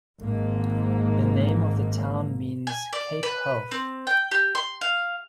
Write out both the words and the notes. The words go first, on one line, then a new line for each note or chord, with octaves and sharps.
The name of the town means "Cape Health".
G#1 G#2 A#3
G#5
D5
B4
C4
G5
G4
C6
F5